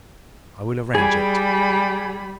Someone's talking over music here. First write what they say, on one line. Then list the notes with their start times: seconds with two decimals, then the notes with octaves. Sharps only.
'I will arrange it.
0.95 G3 G#4 G#5 B5